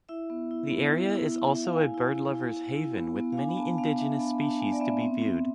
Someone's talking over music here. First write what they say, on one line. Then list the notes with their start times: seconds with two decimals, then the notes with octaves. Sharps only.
The area is also a bird-lovers haven with many indigenous species to be viewed.
0.09 E4 E5
0.30 B3
0.51 E4
0.71 B3
0.91 E4
1.11 E4
1.32 E4
1.53 E4 E5
1.64 F5
1.73 E4 G#5
1.94 E4
2.15 E4
2.35 E4
2.56 E4
2.76 E4
2.96 B3
3.16 B3
3.32 F5
3.38 D4 G#5
3.48 B5
3.57 B3 A5
3.78 B3 F5
3.98 D4 E5
4.19 B3 B5
4.39 D4 A5
4.60 B3 G#5
4.72 D5
4.80 B3 E5
5.01 C4
5.22 C4